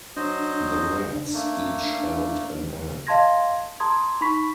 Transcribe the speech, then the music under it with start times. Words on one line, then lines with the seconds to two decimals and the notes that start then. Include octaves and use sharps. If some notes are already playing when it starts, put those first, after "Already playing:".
The rats each held an end.
0.16 F#3 D4 C5 D#5
1.34 A3 A#3
3.07 D#5 F5 A5 C6 G#6 A#6
3.80 A5 A#5 C6 D#6 G#6
4.21 D#4 B5 C#6 B6